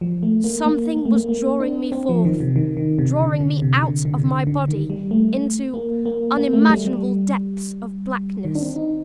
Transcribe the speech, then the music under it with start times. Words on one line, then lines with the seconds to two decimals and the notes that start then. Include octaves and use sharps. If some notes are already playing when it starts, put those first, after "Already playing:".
Something was drawing me forth; drawing me out of my body into unimaginable depths of blackness.
0.01 F3
0.23 A3
0.44 A#3
0.66 A#3
0.96 A#3
1.05 A3
1.15 A#3
1.29 A#3
1.60 D4
1.92 C4
2.09 F3
2.25 D#3
2.40 C3
2.56 D#3
2.77 D#3
2.99 C3
3.20 D3
3.41 D3
3.62 C3
3.83 D3
4.05 D3
4.17 C3
4.26 D3
4.47 D3
4.68 D#3
4.90 G3
5.11 A3
5.74 A#3
6.06 A#3
6.37 A#3
6.53 A3
6.69 G3
6.85 G3
8.45 D#3
8.55 D4
8.61 C4
8.76 D#4